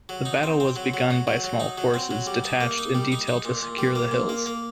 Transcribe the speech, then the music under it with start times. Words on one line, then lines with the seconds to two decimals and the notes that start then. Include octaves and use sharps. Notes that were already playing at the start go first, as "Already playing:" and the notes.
The battle was begun by small forces detached in detail to secure the hills.
0.09 F#3
0.25 D#4
0.43 C4
0.60 C4
0.76 F#3
0.94 F#3
1.11 F#3
1.27 F#3
1.44 F#3
1.60 D#4
1.78 F#3
1.94 C4
2.11 F#3
2.27 G3
2.44 D#4
2.61 A#3
2.78 D#4
2.95 G3
3.12 D#4
3.27 D#4
3.45 A#2
3.62 A#2
3.78 G3
3.95 A#3
4.11 A#2
4.29 A#3
4.46 A#3